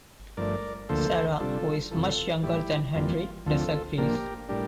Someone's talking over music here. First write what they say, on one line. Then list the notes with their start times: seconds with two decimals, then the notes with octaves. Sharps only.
Sarah, who is much younger than Henry, disagrees.
0.37 G2 F3 A3 D4 A#4 D5
0.89 D2 D3 F3 A#3 A4 C5
1.40 C3 G3 D4 F4 A4
1.91 F2 C3 E3 F4 A4
2.43 A2 E3 G3 E4 G4
2.95 F2 E3 G3 A#3 F4
3.46 D2 D3 F3 C4 F4 A4
3.98 A#2 F3 A#3 D4 G4 A#4
4.49 A2 G3 D4 G4 A#4